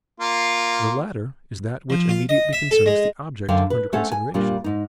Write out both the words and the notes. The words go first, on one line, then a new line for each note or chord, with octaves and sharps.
The latter is that which immediately concerns the object under consideration.
A#3 F4
F3
F4
D#5
E5
A4
G#3
F#2 D3 C5 F5 G5
B4
A3 C#4 A4 C5 C#5 F#5
G#5
A#2 G3 D4 F4
G#2 D#4